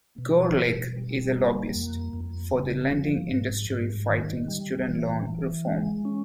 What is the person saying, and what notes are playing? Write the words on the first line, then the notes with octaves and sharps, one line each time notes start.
Gorelick is a lobbyist for the lending industry fighting student loan reform.
B2
B2
G3
A#3
F2
F2
C#3
F3
G#2
G#2
D#3
G3
E3
E3
G#3
C#4